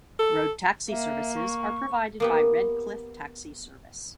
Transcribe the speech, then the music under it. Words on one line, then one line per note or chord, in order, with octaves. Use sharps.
Road taxi services are provided by Redcliffe Taxi Service.
A4
A#3 E5
C#6
A#3 B3 G4